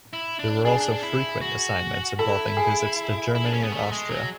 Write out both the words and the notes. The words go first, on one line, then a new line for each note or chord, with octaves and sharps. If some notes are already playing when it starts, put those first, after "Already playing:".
There were also frequent assignments involving visits to Germany and Austria.
E4
D4
D4 G#4
E4
F#4
E4 A4
G#4
E4
D4
C#4
B3
A3
G#3
F#3